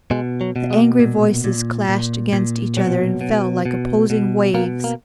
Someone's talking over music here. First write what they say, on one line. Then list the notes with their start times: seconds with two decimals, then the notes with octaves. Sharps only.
The angry voices clashed against each other and fell like opposing waves.
0.11 B2 G#3
0.41 F#3
0.56 B2
0.71 G#3
1.00 A#2
1.44 A#2
1.89 A#2
2.33 A#2
2.77 B2 F#3
3.21 B2
3.66 B2
4.10 B2
4.54 B2 A#3
4.84 A#3